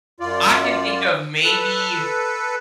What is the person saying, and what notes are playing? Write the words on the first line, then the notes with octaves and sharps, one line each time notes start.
I can think of maybe
F#2 F4 D5
A4 B4